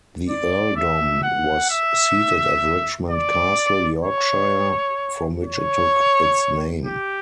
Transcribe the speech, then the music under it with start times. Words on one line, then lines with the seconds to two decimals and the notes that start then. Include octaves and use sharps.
The earldom was seated at Richmond Castle, Yorkshire, from which it took its name.
0.29 D5
0.76 E5
1.23 F#5
1.70 E5
3.10 D5
4.04 C#5
5.44 C#5
6.85 G4